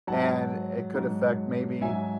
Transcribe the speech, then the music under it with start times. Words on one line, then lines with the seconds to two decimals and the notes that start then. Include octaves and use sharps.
and it could affect, maybe,
0.07 G#2 F#3 F#5 A5
0.95 G#2 F#3
1.81 G#2 F#3 E5 G#5